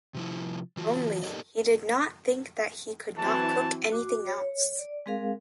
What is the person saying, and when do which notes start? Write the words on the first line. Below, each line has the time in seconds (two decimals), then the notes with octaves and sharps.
Only, he did not think that he could not cook anything else.
0.14 C3 F3 E4
0.77 E3 F4 F#4
1.23 D#4 G4 A4 A#4 D5 D#5
3.18 E3 F#3 C4 A5
3.92 F#4 D6
4.26 C#5
4.79 D5
5.06 G#3 C4 G#4 A#4 F5